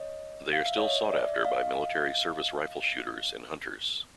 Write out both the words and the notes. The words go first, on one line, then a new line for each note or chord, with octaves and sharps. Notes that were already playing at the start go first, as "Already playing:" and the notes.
They are still sought after by military service rifle shooters and hunters.
Already playing: C#5 D#5
F5
E5
C#5 D#5
D5 E5
D#5 F5